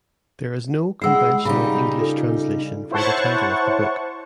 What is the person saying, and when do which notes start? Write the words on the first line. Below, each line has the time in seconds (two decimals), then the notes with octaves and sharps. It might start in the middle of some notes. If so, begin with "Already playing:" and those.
There is no conventional English translation for the title of the book.
1.02 G#3 E4 F#5 E6 C7
1.45 C#3 G3 D#4 B5
1.98 F4 A4
2.91 E4 C5 C#5 F#5 A5 C#6